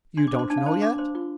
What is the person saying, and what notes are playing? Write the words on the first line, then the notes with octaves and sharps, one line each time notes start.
"You don't know yet?"
D4 C6
D6
C5
C6
D4 A5
F5
C5 A5
C6
D4 D6
C5 C6
F4